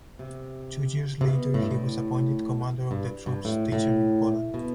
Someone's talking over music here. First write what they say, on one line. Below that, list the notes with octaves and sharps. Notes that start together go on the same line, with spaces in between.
Two years later he was appointed commander of the troops stationed in Poland.
C3
C3
B2
A2
G2
A2
G2
G2
A2
A2
B2